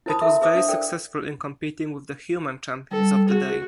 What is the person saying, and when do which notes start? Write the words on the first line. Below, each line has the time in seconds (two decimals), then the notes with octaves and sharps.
It was very successful in competing with the human champions of the day.
0.06 E4 A#4 C5 A5 B5 D#6
0.21 E4 A4 A#4 E5 C6
0.41 G#4 B4 C5 E5 D6 D#6
0.55 D4 C5 F5 D#6
0.68 A4 A#4 C5 D5 G5
2.91 G3 A4
3.29 F#4 G#4